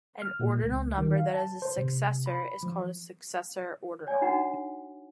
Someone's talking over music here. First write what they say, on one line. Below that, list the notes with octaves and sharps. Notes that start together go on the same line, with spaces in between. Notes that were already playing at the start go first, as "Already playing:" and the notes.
An ordinal number that is a successor is called a successor ordinal.
F6
A#2
C#2
D#3
F5
A5
C5
C3
B5
F3
C#5 D5 G#5
D4 D#4 F#4 F#5 A#5